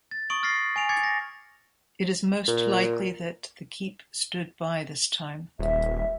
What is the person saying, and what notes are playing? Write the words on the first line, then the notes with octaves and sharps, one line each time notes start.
It is most likely that the keep stood by this time.
A6
C#6 D#6 D7 F#7
C#6 F6 A6 A#6 C7
G#5 D7 F7
D6 G#6 A6 C#7
A#6
A#2
D#1 E5